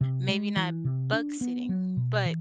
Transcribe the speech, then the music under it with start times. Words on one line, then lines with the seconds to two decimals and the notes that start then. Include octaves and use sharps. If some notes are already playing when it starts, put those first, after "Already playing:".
maybe not bug sitting, but
0.01 C3
0.28 G#3
0.56 E3
0.85 C3
1.13 D4
1.41 B3
1.69 F#3
1.97 B2
2.25 E3